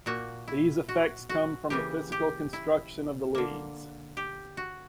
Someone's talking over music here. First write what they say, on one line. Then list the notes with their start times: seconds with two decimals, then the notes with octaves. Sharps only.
These effects come from the physical construction of the leads.
0.06 A#2 A#3 F#4
0.48 E4
0.89 F#4
1.29 F#4
1.70 C#3 E3 A#3 G4
2.12 G4
2.53 E4
3.35 D3 A#3
4.17 G4
4.57 F#4